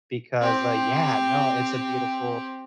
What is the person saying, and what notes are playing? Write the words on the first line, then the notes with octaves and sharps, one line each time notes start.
because, uh, yeah, no, it's a beautiful
C4 G4